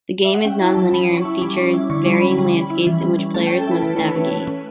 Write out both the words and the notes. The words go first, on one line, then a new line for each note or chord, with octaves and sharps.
The game is nonlinear and features varying landscapes in which players must navigate.
E5
F#5
C#4 G5
E4
A5
F#3
F#3 B5
C#4
C#6
E4
G3 D6
C#4
E4
D3 C#6
G3
B5
C#4
G3
C#4
E4
E3
G3
C#4
A3 A5
C#4 G5
A4
E4 B4
E3 B4
A3 C#5
B4
C#4
A3
C#4